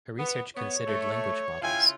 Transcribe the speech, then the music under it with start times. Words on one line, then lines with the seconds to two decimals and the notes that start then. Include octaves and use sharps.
Her research considered language models.
0.18 B3
0.56 B3 C#5
0.87 A3
1.62 C#3 E4 F4 G5 G#5